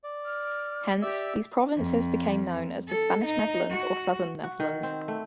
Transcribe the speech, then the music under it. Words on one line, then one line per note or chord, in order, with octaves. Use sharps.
Hence, these provinces became known as the Spanish Netherlands or Southern Netherlands.
D5
F6
G4 D5 E5 E6
F2
A4
D#4
F#4
F#4
D#3
C4
A3